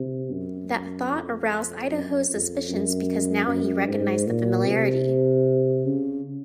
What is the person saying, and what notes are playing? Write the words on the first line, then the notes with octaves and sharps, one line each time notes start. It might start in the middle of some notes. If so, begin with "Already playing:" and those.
That thought aroused Idaho's suspicions because now he recognized the familiarity.
Already playing: C3
F#2
F2
F#2
F2
F#2
F#2
G#2
A#2
C3
C#3